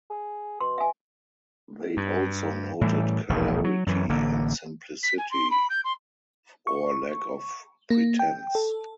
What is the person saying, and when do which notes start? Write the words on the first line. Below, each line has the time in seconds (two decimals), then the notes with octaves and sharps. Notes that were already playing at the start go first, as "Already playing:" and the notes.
They also noted clarity and simplicity or lack of pretense.
0.10 G#4
0.60 B2 C6
0.78 E5 G#5
1.97 G2
2.81 A2 E3 G3
3.29 E1 A#1 D#2 G#2
3.64 F#3
3.87 F#2 E3
4.10 A1 D3 A#3
5.03 B6
5.18 G#5
5.31 C6
5.51 B5
5.70 G6
5.84 C6
6.67 C#6
7.90 A#3
8.19 G5
8.55 A4